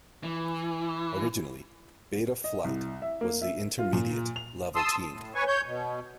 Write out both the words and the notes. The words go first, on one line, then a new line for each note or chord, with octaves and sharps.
Originally, Beta Flight was the intermediate level team.
E3
D#5
C2
E5
A#3
E5
F4
A#2
F7
A5 C6 D#6 E6
A2
B4 C#5 G#5 C#6
C#5 G6
B2